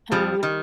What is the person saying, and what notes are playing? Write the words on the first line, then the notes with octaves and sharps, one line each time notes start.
and I would
F2 F3 G3
D#3